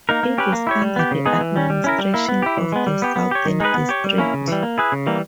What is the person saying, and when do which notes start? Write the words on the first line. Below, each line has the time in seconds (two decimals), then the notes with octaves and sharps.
It is under the administration of the Southern District.
0.09 A#3 D#4 A#4
0.23 A#3
0.38 C#4 G4 B4
0.53 A#3
0.67 E4 G4 C#5
0.82 G3
0.96 B3 G4
1.11 C#3
1.26 G#3 B3 D#4 G#4
1.41 E3
1.56 G3 C#4
1.70 G3
1.84 C#4 E4 A#4
1.98 G3
2.14 A#3 E4
2.29 B3
2.42 E4 G4
2.57 E3
2.72 G#3 B3
2.87 G3
3.02 B3 G4
3.16 B3
3.31 G4 C#5
3.45 D#3
3.60 G#3 D#4 G#4 B4
3.74 B3
3.89 G4 C#5
4.04 G3
4.18 A#3 C#4 E4
4.34 C#3
4.48 E3 G3
4.63 A#3
4.78 E4 G#4 B4
4.92 C#3
5.07 E3 G3 A#3